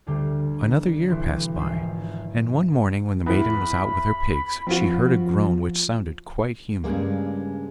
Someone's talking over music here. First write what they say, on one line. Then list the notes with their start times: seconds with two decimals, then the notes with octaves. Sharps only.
Another year passed by, and one morning when the maiden was out with her pigs she heard a groan which sounded quite human.
0.07 D2 D3 G3
1.08 B1 E3 C6
1.55 G#1 F3 D#4 E5 G5 C7
3.26 E2 E3 B5
4.67 F3 C4 F4 F#4
6.84 G2 C#3 G3 G#3 A#3